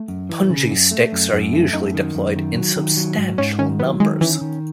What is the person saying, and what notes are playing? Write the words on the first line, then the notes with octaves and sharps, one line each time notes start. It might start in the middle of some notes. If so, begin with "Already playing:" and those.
Punji sticks are usually deployed in substantial numbers.
Already playing: A3
F#2
E3
C#3
F#2
A3
F#2
F#2
A3
F#2 D#4
D#3
F#2
D#3
F#3
D#3
F#3
G#2
G#2 C#4
D#3 C#4
F#3 B3
D#3 G#3
E3 C#4
D#3